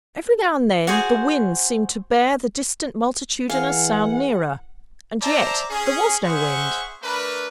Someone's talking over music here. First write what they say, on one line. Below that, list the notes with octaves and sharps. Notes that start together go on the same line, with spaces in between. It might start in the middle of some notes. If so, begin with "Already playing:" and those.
Every now and then, the wind seemed to bear the distant multitudinous sound nearer; and yet there was no wind!
F#4 G#4 C5
E3 G#4 F5 F#5 G#5
C5 D5 E5 A5 A#5
C#4 G#4
C#4 G#4 C5 E5 F#5 C#6
A3 D4 A#4 B4